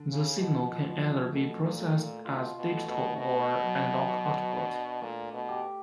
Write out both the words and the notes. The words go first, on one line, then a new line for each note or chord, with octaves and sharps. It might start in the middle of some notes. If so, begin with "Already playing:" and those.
The signal can either be processed as digital or analog output.
Already playing: D3
C#3
B2 F3
B2 F3
B2 A3
A#2
A3
A#2
B2 F4
B2
A3
B2
B2 D#4
F#3
F#4
D4
A#2 A3
B2
G4